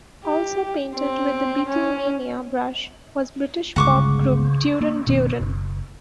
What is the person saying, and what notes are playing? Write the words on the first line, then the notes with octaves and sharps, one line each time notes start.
Also painted with the Beatlemania brush was British pop group Duran Duran.
G4
C4
C#4
G1 C#2 C#3 F#5 C#6 D6
A#3
F#1 B2 D#3 B3
F#1